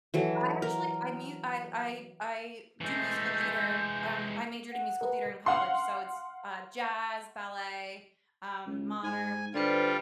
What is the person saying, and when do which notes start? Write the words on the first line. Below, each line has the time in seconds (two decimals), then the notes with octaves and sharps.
I actually I mu I I I do musical theater, um, I majored in musical theater in college. So it's, uh, jazz, ballet, um, modern.
0.14 E3 F#3 A4
0.62 A#4
2.81 E3 G#3 A3 G6
4.73 F#5
5.01 A#4 B4
5.46 F5 F#5 C6
8.66 C#2
9.03 G#2 G#5
9.54 D3 G3 F4 B4 C5 D5